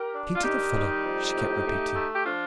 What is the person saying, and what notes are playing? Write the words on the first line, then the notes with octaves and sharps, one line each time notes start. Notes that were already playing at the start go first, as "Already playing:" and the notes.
"Peter the fuller!" she kept repeating.
Already playing: G4 A#4
D4
F4
D#3 D#4 G4
G3
F2
A2
A3
A3
G4
F3 D4 F4